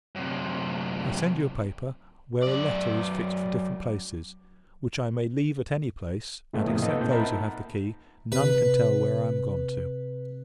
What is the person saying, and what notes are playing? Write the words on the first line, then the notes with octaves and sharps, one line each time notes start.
I send you a paper, where a letter is fixed for different places: which I may leave at any place; and, except those who have the key, none can tell where I am gone to.
F#2 C3
F#2 D5
A2 C#3 G#3 A3 B3
F2 A2 C3 A#3 D#6
A#3 D#4 A4 B4 D#5 F#5
A#2 C4 G6
D#4 A#4 E5 F#5 A5 B5
C3 B4